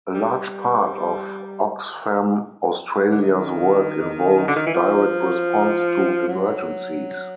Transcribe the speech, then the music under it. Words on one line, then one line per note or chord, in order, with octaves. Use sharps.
A large part of Oxfam Australia's work involves direct response to emergencies.
G3
D3
D#3
D3
D#3
E3
F3
F#3